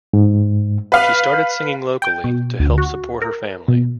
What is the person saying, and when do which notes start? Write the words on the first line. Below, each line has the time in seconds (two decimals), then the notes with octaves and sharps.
She started singing locally to help support her family.
0.13 G#2
0.92 B4 F5
2.02 G5
2.24 B2
2.60 D2
2.78 F#4
3.22 A#4
3.68 B2